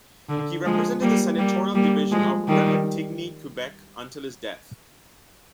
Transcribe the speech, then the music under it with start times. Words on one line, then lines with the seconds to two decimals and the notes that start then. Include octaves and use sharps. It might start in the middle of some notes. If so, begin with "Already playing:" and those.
He represented the senatorial division of Repentigny, Quebec until his death.
0.29 D3
0.66 F3 G#3
1.02 G3 A#3
1.38 G3 A#3
1.75 G3 A#3
2.11 F3 G#3
2.48 D#3 G3